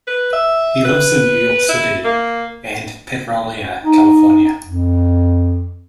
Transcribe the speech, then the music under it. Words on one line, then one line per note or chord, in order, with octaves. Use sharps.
He lives in New York City and Petrolia, California.
B4
E5
B4
E4
A#3
D#4
F2